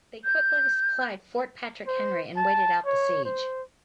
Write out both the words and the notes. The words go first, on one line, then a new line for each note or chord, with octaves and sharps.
They quickly supplied Fort Patrick Henry and waited out the siege.
G6
C5
A5
C#5
C5